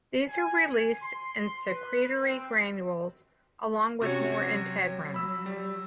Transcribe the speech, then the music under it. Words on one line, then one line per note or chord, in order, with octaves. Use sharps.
These are released in secretory granules, along with more integrins.
G#5
C6
B4
C4
C3 C#4 F#4 C#5
F#3
B5 E6
G3